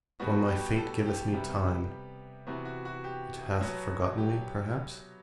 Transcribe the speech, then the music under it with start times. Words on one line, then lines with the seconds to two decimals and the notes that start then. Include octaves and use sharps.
For my fate giveth me time: it hath forgotten me perhaps?
0.20 B2 G3 B3 F#4
0.48 G4
0.76 A4
1.05 G4
1.33 C3 G3 B3
2.47 C3 E3 B3 F#4
2.65 F#4
2.85 F#4
3.04 G4
3.61 B2 F#3 B3
4.18 G4